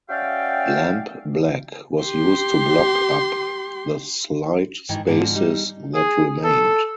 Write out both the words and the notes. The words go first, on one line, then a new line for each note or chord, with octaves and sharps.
Lampblack was used to block up the slight spaces that remained.
C#4 F#4 D5 E5 F5 G5
G4 C6
G#2 D#3 E3
G#2 D3 F3
G3 D#4
G#4
A4